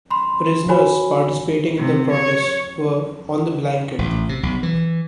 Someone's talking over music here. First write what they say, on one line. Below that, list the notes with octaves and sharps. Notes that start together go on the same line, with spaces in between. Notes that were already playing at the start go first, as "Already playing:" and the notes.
Prisoners participating in the protest were "on the blanket".
B5 C6
F#4 C#5 G#5 B5
C3
C#5
A1
C3
B1
E3